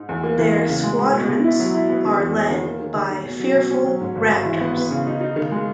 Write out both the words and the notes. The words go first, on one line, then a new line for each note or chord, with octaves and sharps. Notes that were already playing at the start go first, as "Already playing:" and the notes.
Their squadrons are led by the fearful Raptors.
Already playing: G#2 D#4
E2
A#3
E3
A#3
C#3
G#3
G#3
B2
B2
E4
F#3
E4
B3
D#3
E2
E1
D#3
A#3
D#3
D#3
D#3
B2
F#3
B2
C#4
F#3
G#2
G#1
G#1
E3
B3
B3
C#3
D#4
D#4
D#3
G#3